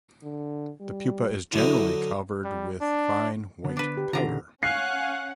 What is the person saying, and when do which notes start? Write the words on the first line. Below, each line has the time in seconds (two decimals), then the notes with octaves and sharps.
The pupa is generally covered with fine white powder.
0.23 D3
0.81 G3
1.54 D3 F#3 D#4 E4
2.45 G3
2.81 D4
3.65 D3 B3
3.77 D4 B4
3.97 G4
4.13 D3 D#3 F4 A#5
4.27 A#2 C#3
4.63 C#4 F5 F#5 G#5 C#6 F#6 C7